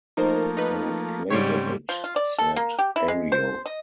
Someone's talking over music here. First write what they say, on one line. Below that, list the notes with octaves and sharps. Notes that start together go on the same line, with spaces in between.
"I have played a bit," said Ario.
F3 A3 A#3 D#4 A#4 C5
D#4 B4
G#2 C#3 G3 C4 G4 C#5
F3
F4
D5
A4
A#3
G4
E4
G#3
C5
D#5